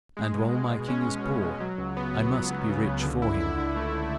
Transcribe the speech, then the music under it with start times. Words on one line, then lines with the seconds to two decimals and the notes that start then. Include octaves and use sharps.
And while my king is poor, I must be rich for him.
0.17 G#3
0.34 B2
0.53 G#3
0.70 B2
0.88 C#4
1.07 C#4
1.24 B2
1.42 B2
1.60 F#3
1.78 C#2
1.97 B3
2.14 B3
2.32 F#3
2.50 C#3
2.69 C#3
2.86 C#2
3.04 D3
3.22 E4
3.40 E4
3.58 D3
3.76 A3
3.94 D3